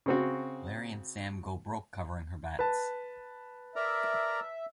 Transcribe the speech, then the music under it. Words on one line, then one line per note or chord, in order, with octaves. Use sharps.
Larry and Sam go broke covering her bets.
C#3 C4 F#4
B4 A5
A#4 D5 E5 A#5